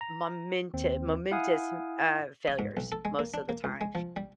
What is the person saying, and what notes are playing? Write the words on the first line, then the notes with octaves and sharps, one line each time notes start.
momente momentous, uh, failures most of the time
A#5
D#2 C4
E4 F5 F#5 G#5 D#6
D#6
G#2
B1
A4
G#3
A#3
D4
A#3
C#2
G#3
F3
G3